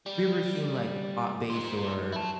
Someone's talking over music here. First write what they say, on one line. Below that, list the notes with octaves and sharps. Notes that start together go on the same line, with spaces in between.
have you ever seen, like, Pop Bass or
G3
D#4 C5
E4 A5